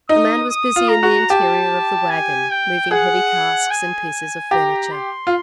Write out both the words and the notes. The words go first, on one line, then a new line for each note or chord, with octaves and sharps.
A man was busy in the interior of the wagon, moving heavy casks and pieces of furniture.
D#4 D#6
D#6
F4
A#5
F#4
G4 A5
G#5
G5
G#4 F#5
G#5
G4 A#5
C6
F4